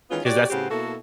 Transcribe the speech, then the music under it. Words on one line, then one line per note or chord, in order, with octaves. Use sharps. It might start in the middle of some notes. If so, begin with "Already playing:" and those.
'cause that's
D#3 E3 G#3 B3 C#4 F4
F#4 G4 C#5 D5
A2 C#3 B3 C4 F#4 G4
B2 A#3 E4 F#4 A4